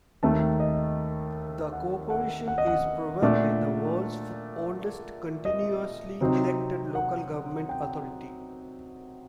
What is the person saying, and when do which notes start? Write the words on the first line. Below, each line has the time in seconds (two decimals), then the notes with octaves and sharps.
The Corporation is probably the world's oldest continuously-elected local government authority.
0.23 D#2 D#3 A3 A5
0.60 D#5
1.73 F#5
2.10 F#5
2.48 F#5
2.58 D#5
2.67 F#5
3.22 A#2 A3 D4
5.45 D#5
6.21 C3 F#3 C4 D#4
6.95 F#5
7.69 G5